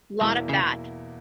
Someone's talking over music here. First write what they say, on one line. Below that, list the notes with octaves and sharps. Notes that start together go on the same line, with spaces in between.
Lot of that.
E2 B2 G#3 A#3 E4
C#3